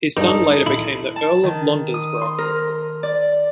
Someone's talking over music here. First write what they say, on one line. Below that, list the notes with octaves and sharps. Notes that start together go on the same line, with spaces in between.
His son later became the Earl of Londesborough.
G2 D#4 A4
E4
A5
D#3
D#6
C6
A#4
D5